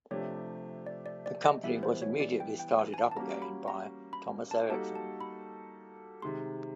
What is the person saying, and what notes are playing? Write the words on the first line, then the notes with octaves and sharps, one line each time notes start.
The company was immediately started up again by Thomas Eriksson.
C3 F3 A3 D4 G4 C#5
D5
D5
D5
D#5
E3 G3 B3 E5
C5
C#5
D5
G5
G5
G#5
G#5
A5
A5
G3 A#3 C#4 F#4 A#5
B5
A#5
B5
A5
G3 A#3 D#4 F#4 A4 A5
A5
B5
C3 D#3 G#3 C6